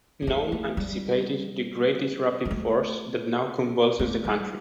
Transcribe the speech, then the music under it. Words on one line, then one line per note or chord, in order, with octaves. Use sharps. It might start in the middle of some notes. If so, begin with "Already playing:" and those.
None anticipated the great disruptive force that now convulses the country.
A#3
A3
A3
G3
G3
A3
A3
G3